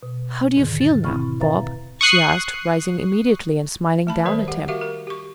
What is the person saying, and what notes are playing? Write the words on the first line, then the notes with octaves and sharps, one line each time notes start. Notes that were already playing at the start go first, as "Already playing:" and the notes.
"How do you feel now, Bob?" she asked, rising immediately and smiling down at him.
B2
E2 G#2 D3 D#3
A6
B2 C4 E4 B5 C#6 F6
B4 E5 F5 A#5 A6
C#6 D#6 F#6 C7
A3 A5 B5
D#3 G3 A#4 C5 E5
G4 F#5
F#4 G4 A#4 E5 F5
A#4
G4 C#6